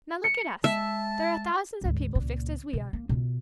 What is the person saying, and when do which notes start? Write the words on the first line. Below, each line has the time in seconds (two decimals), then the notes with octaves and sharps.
Now, look at us,--there are thousands of people fixed as we are.
0.24 C#7
0.64 G#3 E5 A5
1.81 G#1 D2
2.15 C#2 A#2
2.73 B2
2.93 A#3
3.09 B2 F4